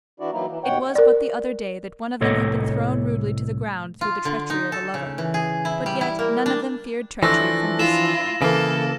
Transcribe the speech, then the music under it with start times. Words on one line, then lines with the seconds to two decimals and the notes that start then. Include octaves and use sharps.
It was but the other day that one of them had been thrown rudely to the ground through the treachery of a lover, but yet none of them feared treachery from this lover.
0.20 E3 D4 E4 F#4 D5
0.32 E3 F#3 A#3 D#4 E4
0.48 E3
0.64 D#2 B2 C#5 F#5 G5
0.95 A#4 D5
2.21 C2 A2 A4 C#5 D#5
4.01 F4
4.25 D3
4.50 D#4
4.72 A4
4.94 C#3
5.18 E3
5.34 G#4
5.65 E4
5.86 G3
6.01 E4
6.19 A#3
6.46 D4
7.23 E3 F3 A3 D4 E6 A#6
7.79 E4 F4 E7
8.42 C#3 E3 A#3 A4